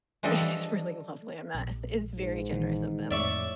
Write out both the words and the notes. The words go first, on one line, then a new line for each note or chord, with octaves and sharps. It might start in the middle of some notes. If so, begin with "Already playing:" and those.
It is really lovely, I'm not It's very generous of them.
E3 F3 G3 D4 A4 D#5
A#1
G#2
A#2 D#3 E3
F2 A2 C#5 D5 E5 C#6